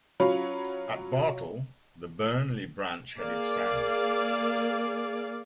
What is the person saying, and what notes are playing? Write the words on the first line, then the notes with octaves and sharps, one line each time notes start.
At Bartle, the Burney Branch headed south.
F#3 C#4 F4 C#5 B5
A#3 G#4 D5 F5